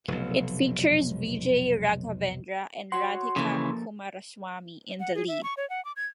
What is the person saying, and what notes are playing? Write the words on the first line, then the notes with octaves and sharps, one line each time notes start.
It features Vijay Raghavendra and Radhika Kumaraswamy in the lead.
F1 B1
F#4 C#5 F#5 C6
C#3 E3 F3 A#3 A4
F#5
G#4
E5
C#6
C#5
F#5
D6
G#6